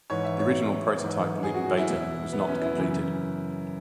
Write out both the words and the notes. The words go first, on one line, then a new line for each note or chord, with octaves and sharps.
The original prototype Luton Beta was not completed.
G#2 E3 C#5
E5
C#5
G#2 E3
G#4
F#4
F#4
E4
E2 B2
B3
C#4
E4
F#2 C#3 E3